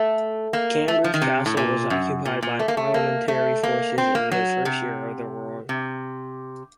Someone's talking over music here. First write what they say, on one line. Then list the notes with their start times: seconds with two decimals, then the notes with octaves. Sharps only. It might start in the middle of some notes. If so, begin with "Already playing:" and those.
Cambridge Castle was occupied by Parliamentary forces in the first year of the war.
Already playing: A3
0.53 A#3
0.88 A3
1.04 F3
1.14 D#3
1.22 C3
1.46 A2
1.57 A#2
1.90 F#2
2.25 A#2
2.42 A#2
2.59 A3
2.68 A#3
2.77 A3
2.94 A#3
3.28 A3
3.63 A#3
3.98 C4
4.15 A#3
4.32 F#3
4.65 C3
5.69 C3